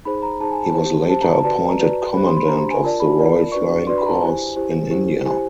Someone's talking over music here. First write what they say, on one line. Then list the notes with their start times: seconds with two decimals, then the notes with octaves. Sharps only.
He was later appointed Commandant of the Royal Flying Corps in India.
0.05 D#4 G#4 C5 B5
0.22 A#5
0.40 D#4 G#4 C5 A5
0.52 G#5
0.63 A5
0.74 G4 C5
1.09 G4 C5 A5
1.21 A#5
1.33 A5
1.44 F#4 B4 D5 A5
1.56 A5
1.67 A#5
1.79 F#4 B4 D5
2.13 D4 G4 C5 B5
2.26 C6
2.37 B5
2.48 D4 G4 C5 A#5
2.71 G#5
2.83 F4 A#4 D5 A5
3.00 B5
3.17 F4 A#4 D5
3.52 D4 F#4 B4 D5 C#6
3.69 C#6
3.87 D4 F#4 B4 D5 C6
3.98 B5
4.06 A#5
4.10 A5
4.21 E4 G4 C5 G#5
4.56 E4 G4 C5
4.90 E4 G4 C5
5.25 E4 G4 C5 G#5